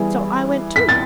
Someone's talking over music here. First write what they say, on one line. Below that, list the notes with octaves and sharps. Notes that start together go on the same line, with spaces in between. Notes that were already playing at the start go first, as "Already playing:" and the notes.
So I went too.
Already playing: E3 G3 B3 E4 G#4
B6
A6